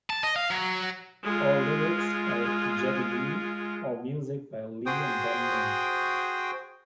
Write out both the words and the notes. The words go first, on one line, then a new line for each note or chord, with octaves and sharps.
All lyrics by Geddy Lee, all music by Lee and Ben Mink.
A5
D#5
F5
F#3
G#3 F4
F#4 G#4 C5 G5 D#6